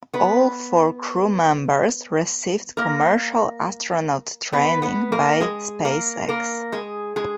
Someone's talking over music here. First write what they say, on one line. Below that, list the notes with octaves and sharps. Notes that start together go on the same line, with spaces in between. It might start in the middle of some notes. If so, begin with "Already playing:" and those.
All four crew members received commercial astronaut training by SpaceX.
B3 B4
A#3 A#4
B3 B4
B3 B4
A#3 A#4
G#3 G#4
A#3 A#4
A#3 A#4
G#3 G#4
G#3 G#4